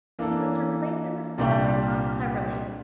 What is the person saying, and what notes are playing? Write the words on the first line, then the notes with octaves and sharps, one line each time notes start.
He was replaced in the squad by Tom Cleverley.
E3 A#3 D4 A4
C2 A#2 G3 D4 G4